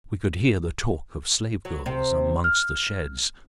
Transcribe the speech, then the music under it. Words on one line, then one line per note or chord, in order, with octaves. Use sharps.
We could hear the talk of slave-girls amongst the sheds.
F#3
C3
F6